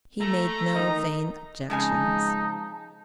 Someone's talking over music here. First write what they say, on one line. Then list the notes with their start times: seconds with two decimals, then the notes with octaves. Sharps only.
He made no vain objections.
0.21 A3 A#5
0.74 D#3 D#4
1.70 F2 C#3 G#3 D#4 G#5 A5